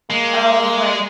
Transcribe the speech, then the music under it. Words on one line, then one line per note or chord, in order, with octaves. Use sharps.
of like
G#3 A#3